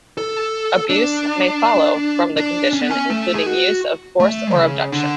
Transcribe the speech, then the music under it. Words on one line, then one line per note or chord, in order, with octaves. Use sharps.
Abuse may follow from the condition including use of force or abduction.
A4
D4
D4
C#4
B3
C#4
A3
G#4
F#4
A3
C#3
D3